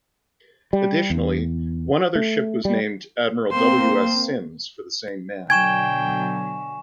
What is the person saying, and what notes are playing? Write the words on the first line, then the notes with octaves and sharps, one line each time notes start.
Additionally, one other ship was named "Admiral W. S. Sims" for the same man.
G3
E2
A3
G3
A#3 C4 C5
B2 D3 F#3 G5 G#5 C#6 G#6 E7